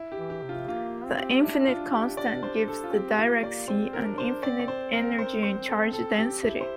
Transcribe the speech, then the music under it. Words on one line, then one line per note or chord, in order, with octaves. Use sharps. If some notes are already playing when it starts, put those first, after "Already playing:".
The infinite constant gives the Dirac sea an infinite energy and charge density.
Already playing: E4
G4
E3
G4
C3
F4
A#3 F4
C4
G4
D4 E4
F4
G4
D4 D5
C5
D4
A4
F4
C4 G4
A#3 F4
A#3 D5
C4 C5
A#4
D4
C5
C4 D5
D5
C5
A#4
C5
C5
A4
A4
G4
E4
C5